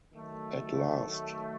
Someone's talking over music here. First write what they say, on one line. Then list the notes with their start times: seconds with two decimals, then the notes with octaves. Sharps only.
At last!
0.13 D#3 F#3 A3